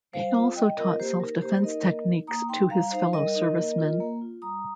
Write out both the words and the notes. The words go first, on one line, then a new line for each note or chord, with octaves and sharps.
He also taught self-defense techniques to his fellow servicemen.
G3 C5 F5
C4 F4
G3 D#5 G5
C4 F4 A#4 D#5
A#3 G4 C5
D#4 A#4
A#3 G4 C5
D#4 A#4 D#5
A#3
D#4
A#3 A#5 D#6
D#4 G5 C6
G3 F5 A#5
D#4 C5 F5
G3 A#4 D#5
D#4
A#3
F4
A#3
F4
G3 A#5 D#6